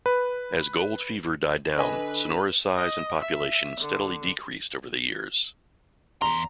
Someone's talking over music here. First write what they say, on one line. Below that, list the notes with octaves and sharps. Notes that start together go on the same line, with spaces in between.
As "gold fever" died down, Sonora's size and population steadily decreased over the years.
B4
D3 B4 D#5 G#5
D#5
E5
D3
E2 A#5 C6